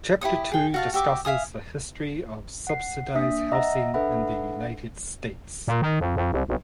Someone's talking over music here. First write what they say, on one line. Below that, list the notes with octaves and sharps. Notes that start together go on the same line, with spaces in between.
Chapter two discusses the history of subsidized housing in the United States.
E4 G4 C#5 D#6
G#4 G5
F#4 F5 A5
F#4 G4 E5 D6
E5 F5 G#5 D#6
F#5 C7
A#3 D4 E5 D#6 B6
D#5 E5 F#5 A#5 E6 A#6
D4 A4 B4 E5 F#5 B5
A#2
D#3
F2
F2
C2
B1